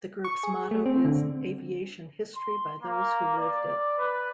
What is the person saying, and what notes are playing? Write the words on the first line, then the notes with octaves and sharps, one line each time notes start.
The group's motto is "Aviation History by those Who Lived It".
C#6
G#4
A3
C4
D3
C6
A#3
D5
B4